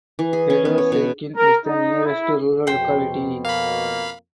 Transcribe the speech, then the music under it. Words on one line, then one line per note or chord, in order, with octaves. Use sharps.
Fedoseykin is the nearest rural locality.
E3
G#4
C#4
B3
C#5
B2
A#4
D#4
E4
F2 B2 C5 G5
A#3 F5 B5